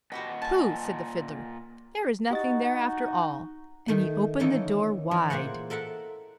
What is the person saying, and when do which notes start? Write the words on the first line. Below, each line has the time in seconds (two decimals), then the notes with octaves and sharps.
"Pooh!" said the Fiddler, "There's nothing there, after all," and he opened the door wide.
0.12 A#2 F#4 G4 D#5 F#5 B5
0.42 G#5 A5
2.31 D#4 F#4 G4 D#5 A6
3.88 D#3 A3
4.40 D#3 E3 A#3 C#4 D#4 A4
5.11 E3
5.30 A#2 A#3 G#4 C5 F#5
5.70 A4 A#4 E5 F#5 A5